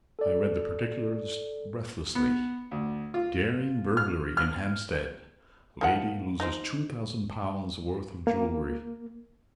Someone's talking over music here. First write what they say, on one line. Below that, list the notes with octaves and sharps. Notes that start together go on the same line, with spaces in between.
I read the particulars breathlessly: DARING BURGLARY IN HAMPSTEAD--LADY LOSES TWO THOUSAND POUNDS' WORTH OF JEWELRY.
A4 D5
B3
D2
F4
F6
F6
D#3 F3 F#5
D#4 C5
A#3